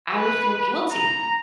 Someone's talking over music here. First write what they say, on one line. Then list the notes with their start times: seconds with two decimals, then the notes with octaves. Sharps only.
I would feel guilty
0.14 B4
0.92 A#5